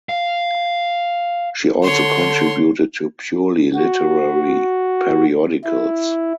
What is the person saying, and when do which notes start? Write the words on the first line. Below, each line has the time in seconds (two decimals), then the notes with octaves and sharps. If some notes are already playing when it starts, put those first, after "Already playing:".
She also contributed to purely literary periodicals.
0.09 F5
1.83 D3 C#5 C6
3.75 F#4
5.64 E4